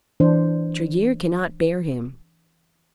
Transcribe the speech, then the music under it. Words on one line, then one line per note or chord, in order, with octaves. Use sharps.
Tregear cannot bear him.
E3 D4 C5